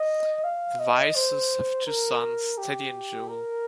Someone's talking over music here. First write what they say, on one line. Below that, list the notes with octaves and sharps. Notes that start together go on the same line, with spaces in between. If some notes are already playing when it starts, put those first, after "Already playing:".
The Weisses have two sons, Teddy and Joel.
Already playing: D#5
F5
D#5
C5
A#4
G4
A#4